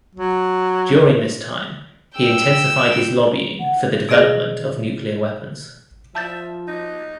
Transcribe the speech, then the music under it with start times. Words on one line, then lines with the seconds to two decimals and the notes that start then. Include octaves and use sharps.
During this time, he intensified his lobbying for the development of nuclear weapons.
0.15 F#3
2.17 G5 E6
3.60 F#5
4.09 B2 G#4 D5 D#5 A#6
6.15 F3 E5 A5 G6 A6
6.68 D#4